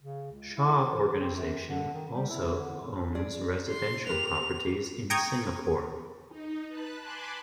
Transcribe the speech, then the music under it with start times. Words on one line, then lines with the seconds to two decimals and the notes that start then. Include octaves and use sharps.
Shaw Organisation also owns residential properties in Singapore.
0.02 C#3
0.32 C#2
0.56 E4
0.83 E3
1.19 C4
1.36 F#2
1.68 D3
1.94 D#3
2.14 G3
2.29 E4
2.57 D3
3.15 G#4 D5
3.68 C6
4.07 G4 A#4 B4 F7
5.10 G5 A#5 C#6 D#6 G#6
6.29 D#4
6.68 B4 A5 F#6
7.01 G#5 A5 B5 C6 D6 F#6